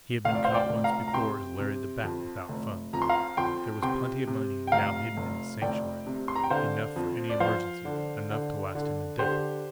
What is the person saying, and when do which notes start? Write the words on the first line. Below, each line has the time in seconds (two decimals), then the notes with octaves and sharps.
He had been caught once before as Larry the Bat without funds! There was plenty of money now hidden in the Sanctuary, enough for any emergency, enough to last him indefinitely.
0.25 F1 F5
0.35 D5
0.44 C5 F5
0.54 D5 G5
0.69 F1
0.84 F5 A#5
1.08 A#5
1.14 C3 G5 C6
1.59 C3
2.04 F2
2.49 F1
2.93 F2 A#5
3.02 C6
3.09 F5 A#5
3.37 F2 G5 C6
3.82 C3 G5 C6
4.27 C3
4.67 G5
4.72 F1 F5 A#5
5.17 F1
5.62 F1 D5 G5
6.07 C3
6.28 C6
6.35 A#5
6.44 G5
6.50 D3 C5 F5
6.96 F2
7.30 D5
7.40 F3 C5 F5
7.85 D3
8.30 D3
8.75 D3
9.19 D3 G4 C5